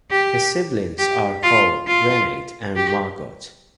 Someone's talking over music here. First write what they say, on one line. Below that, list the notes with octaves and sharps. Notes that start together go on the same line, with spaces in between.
His siblings are called Renate and Margot.
G4
G4
F4
F4
G4